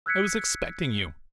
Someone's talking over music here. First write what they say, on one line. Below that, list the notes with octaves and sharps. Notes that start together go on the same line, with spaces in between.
I was expecting you.
E6 F#6 G#6 B6 C#7